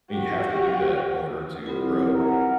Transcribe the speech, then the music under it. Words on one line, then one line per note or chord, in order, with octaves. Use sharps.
and you have to do that in order to grow.
F#4 G4
C2 B3 C4 F4
A#4 E5 F#5